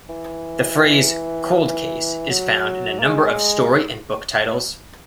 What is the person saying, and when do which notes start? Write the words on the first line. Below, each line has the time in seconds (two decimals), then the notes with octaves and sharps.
The phrase "Cold Case" is found in a number of story and book titles.
0.09 E3
2.30 F#3
2.99 A#3
3.03 G#3